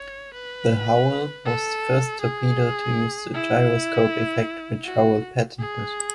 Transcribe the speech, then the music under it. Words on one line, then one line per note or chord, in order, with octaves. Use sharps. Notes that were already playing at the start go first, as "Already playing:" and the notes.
The Howell was the first torpedo to use the gyroscope effect, which Howell patented.
Already playing: C#5
B4
A4
G#4
E4
F#4
G#4